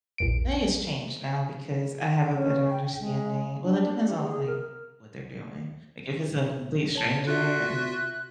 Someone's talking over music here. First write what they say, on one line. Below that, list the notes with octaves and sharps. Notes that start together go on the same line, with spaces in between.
I think it's changed now because I have a better understanding well, it depends on, like, what they're doing. Like, if it's a complete stranger and
A#1 E2 D7
C#4
G5
G#3
D4
G4
G#4
A#4
C#5 A5
F4 F#4 E5 F#6